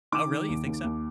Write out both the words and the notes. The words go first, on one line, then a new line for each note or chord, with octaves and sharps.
Oh, really? You think so?
D#3 D6
D#3
D#2
D#2
D#2